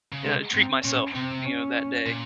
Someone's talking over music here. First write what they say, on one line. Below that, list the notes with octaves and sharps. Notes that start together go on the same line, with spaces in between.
And I treat myself, you know, that day.
C#3
C3 G#3
G#2 C4
A#2 C#4
C3 C4
C#4
A#2